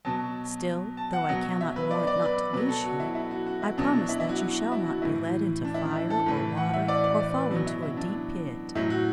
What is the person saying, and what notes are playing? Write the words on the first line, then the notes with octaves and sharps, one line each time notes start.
Still, though I cannot warrant not to lose you, I promise that you shall not be led into fire or water, or fall into a deep pit.
B2 F#3 A5
A5
F#5
B2 F#3
E5
B4
D5
D5
B4
B2 F#3 B4
A4
F#4
E4
E4
F#4
F#4
E4
B2 F#3 D4
D4
E4
E4
F#4
E4
F#4
A2 E3 E4
D4
E4
D4
E4
A4
A2 E3
F#5
E5
D5
D5
D5
B4
B2 F#3 F#4
E4
E4
D4
A2 F#3 E4
F#4